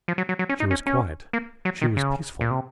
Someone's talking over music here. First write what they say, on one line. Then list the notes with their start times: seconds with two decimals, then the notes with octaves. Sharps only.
She was quiet, she was peaceful.
0.08 F3
0.18 F#3
0.29 F#3
0.39 F#3
0.49 C#4
0.60 D#4
0.71 C#4
0.87 C#4
1.33 A#3
1.65 F#3
1.81 D#3
1.97 C#3
2.41 A#2
2.51 C3